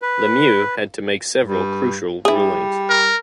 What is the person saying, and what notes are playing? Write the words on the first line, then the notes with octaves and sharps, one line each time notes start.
Lemieux had to make several crucial rulings.
B4
G2
G3 E4 G#4
A#4